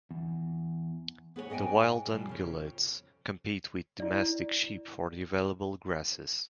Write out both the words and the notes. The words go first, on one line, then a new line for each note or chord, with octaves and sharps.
The wild ungulates compete with domestic sheep for the available grasses.
E2
B3 G#4 A#4 C#5
G#2 D#5 E5 G5 G#5
B2 F3 G3
F2 C#3
E4 D5